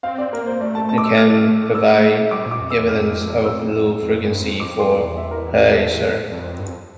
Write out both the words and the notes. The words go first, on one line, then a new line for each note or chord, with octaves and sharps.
It can provide evidence of rule frequency for a parser.
C4 F5
D5
A#3 A#4
C5
A3 D5
A5
A5
D6
E6
F6
E6
G3 D6
A#2
D6
F2
E6
E2
F2 F6
E6
F2
G2
F2
F2 D6
F2 C6
E2 D5
E5
A#4
G4
A4
F2
G2
F2